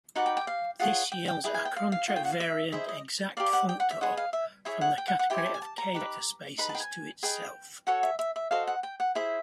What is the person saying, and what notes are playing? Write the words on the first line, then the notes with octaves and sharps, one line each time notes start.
This yields a contravariant exact functor from the category of "k"-vector spaces to itself.
D#4 F#4 B4 D5 F#5
G5
G5
F5
F4 G#4 C#5 F#5
G5
G5
E4 G#4 B4 D#5 G5
G#5
G5
F5
F5
F4 G#4 C#5 F#5
G5
F#5
F5
E5
E4 G#4 C5 D#5 E5
D#5
G4 A#4 D5 F5
F#5
G5
F#5
E5
G#4 B4 D#5 F#5
F5
E5
E4 G#4 C#5 E5
F#5
G5
F#5
F#5
E4 G4 C5 D#5 G5
G#5
A5
G#5
A5
A#5
D#4 G4 B4
D#4 G#4 B4 B5
A5
G5
G#5
G#4 B4 D#5 G5
F#4 A4 C#5 F#5
E5
E5
E5
F#4 A4 C5 D#5 F5
F#5
G5
F#5
E4 G#4 C5 E5